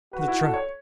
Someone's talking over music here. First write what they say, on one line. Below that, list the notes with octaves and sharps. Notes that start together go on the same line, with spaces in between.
"To the trap!"
F#4 B4
E4
A4
C#5